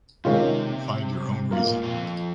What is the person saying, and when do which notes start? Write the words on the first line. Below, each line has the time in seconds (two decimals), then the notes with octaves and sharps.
Find your own reason.
0.25 C3 D#3 G#3 C#4 F4
1.51 G#2 A#3 F4 A#4
1.67 A#2
1.83 F2 F3